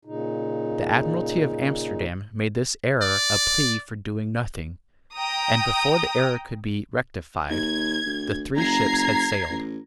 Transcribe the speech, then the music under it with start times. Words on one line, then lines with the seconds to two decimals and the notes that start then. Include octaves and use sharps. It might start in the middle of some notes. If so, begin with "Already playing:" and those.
The Admiralty of Amsterdam made this error a plea for doing nothing; and, before the error could be rectified, the three ships had sailed.
0.05 A#2 C#3 D#4
3.02 D5
5.15 G5 A#5 D#6
7.50 D#2 G#6
8.06 D2
8.56 F#1 A#5 G#6 C7
9.50 A1